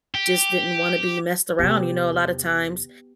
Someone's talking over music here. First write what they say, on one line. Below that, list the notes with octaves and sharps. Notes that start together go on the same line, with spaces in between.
just didn't wanna be messed around, you know? A lotta times
G4
E2 C3 B3 G4